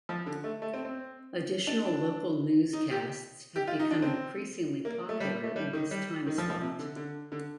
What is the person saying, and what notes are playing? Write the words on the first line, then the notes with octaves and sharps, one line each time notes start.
Additional local newscasts have become increasingly popular in this time slot.
F3
D3
A3
A3
C4
C4
D4
D4
D#4
G4
G4
F4
D#4
D4
C4
A#3
A3
G3
A3
G3
D#3
G3
D#3
F3
F3
C3
D3
D3
D3